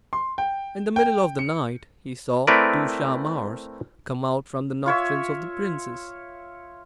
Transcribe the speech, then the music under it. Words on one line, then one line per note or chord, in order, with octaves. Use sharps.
In the middle of the night he saw two Shahmars come out from the nostrils of the princess.
C6
G5
G5
C#7
A3 C4 E4 A#4 B4 D5
F4 C#5 E5